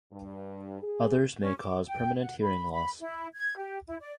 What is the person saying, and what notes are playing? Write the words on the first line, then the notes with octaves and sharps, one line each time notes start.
Others may cause permanent hearing loss.
G2
G#4
C#4
D6
G5
F#5
B5
B5
E4
G#6
G4
E4
D5